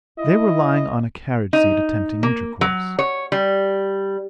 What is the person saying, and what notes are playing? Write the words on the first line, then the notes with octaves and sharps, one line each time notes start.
They were lying on a carriage-seat attempting intercourse.
E4 D#5
D#4
A#3
F#3
C#5
G3